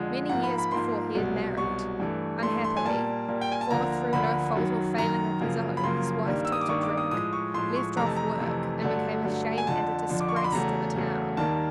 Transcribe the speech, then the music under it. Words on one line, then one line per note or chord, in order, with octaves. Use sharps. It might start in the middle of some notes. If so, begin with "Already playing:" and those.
Many years before he had married; unhappily, for through no fault or failing of his own, his wife took to drink, left off work, and became a shame and a disgrace to the town.
Already playing: F2 D3 F3 G#3
G#2 F3 A#3 F#5
B5
B5
G#2 F3 A#3 C6
C2 B2 F#3
C2 B2 F#3 C#6
G2 E3 A3
G2 E3 A3 C6
C6
G#5
A#2 G3 A#3 A5
A#2 G3 A#3
G5
G#5
A5
D2 D3 F3 A#3 A#5
D2 D3 F3 A#3 B5
F#2 D#3 F#3
F#2 D#3 F#3 A#5
F#2 C#3 F3 A#3
B5
F#2 C#3 F3 A#3 C6
G2 D#3 G3 A#3
E6
D#6
D6
G2 D#3 G3 A#3 C#6
D6
D#6
A2 F3 G#3 D#6
C#6
A2 F3 G#3 C6
C#6
F2 C3 E3 A3 A#5
A5
A#5
F2 C3 E3 A3
G2 D3 F#3 A3
G2 D3 F#3 A3
G#5
F2 D3 F3 A5
F2 D3 F3
D6
C#6
C6
B5
E2 C#3 F#3 A3 A#5
E2 C#3 F#3 A3
D#2 D#3 G3 A#3 A5